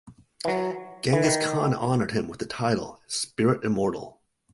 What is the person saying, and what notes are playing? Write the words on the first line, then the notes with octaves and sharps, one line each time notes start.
Genghis Khan honoured him with the title Spirit Immortal.
E3
F#3
E3
D#3